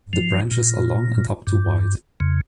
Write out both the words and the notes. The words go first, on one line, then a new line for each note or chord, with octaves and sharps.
The branches are long and up to wide.
F3
A#2
G2
F2 C#3